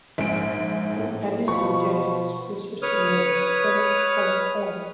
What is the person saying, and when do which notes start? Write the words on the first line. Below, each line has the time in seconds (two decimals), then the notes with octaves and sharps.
In addition, "Terrorist" features Slayer vocalist Tom Araya.
0.18 A#1 G#2 D7
0.95 A2
1.48 B2 F3 B5 C#6
2.82 B4 C#5 D#6 F6